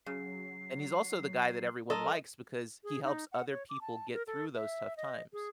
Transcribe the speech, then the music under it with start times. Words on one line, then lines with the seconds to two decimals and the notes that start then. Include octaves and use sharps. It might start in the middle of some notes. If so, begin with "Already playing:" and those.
And he's also the guy that everyone likes, because he helps other people get through those tough times.
0.06 C#3 F#3 C7
1.90 F#3 A4 A#4 D#5 C6
2.84 G#4
3.03 D#4
3.32 F#5
3.50 C#5
3.69 D6
3.81 A5
4.13 A#4
4.27 A4
4.55 E5
4.97 D#5
5.33 G#4